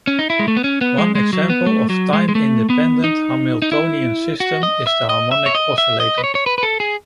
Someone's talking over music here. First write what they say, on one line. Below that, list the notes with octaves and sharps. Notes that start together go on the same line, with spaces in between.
One example of time independent Hamiltonian system is the harmonic oscillator.
C#4
D#4
E4
G#3
A3
B3
C#4
B3
G#3
G#3
F#3
B3
A3
F#3
G#3
G#3
A3
B3
D#4
D#4
E4
F#4
D#5
E5
D#5
E5
C#5
D#5
E5
D#5
B4
C#5
C#5
B4
B4
A4
G#4